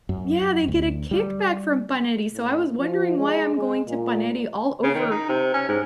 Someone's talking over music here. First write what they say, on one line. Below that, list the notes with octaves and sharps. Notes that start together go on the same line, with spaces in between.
yeah, they get a kickback from Paneri, so I was wondering, "Why I'm going to Paneri all over
F#2
D2
G3
A2
F3
G#3
G#3
A#2
C#3
D#3
D#4
C3
C#4
G#2